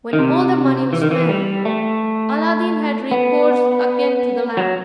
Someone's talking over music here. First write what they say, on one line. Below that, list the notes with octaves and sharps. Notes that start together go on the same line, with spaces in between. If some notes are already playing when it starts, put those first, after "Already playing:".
When all the money was spent, Aladdin had recourse again to the lamp.
D#3
C3
E3
D#3
E3
G3
A3
B3
F#3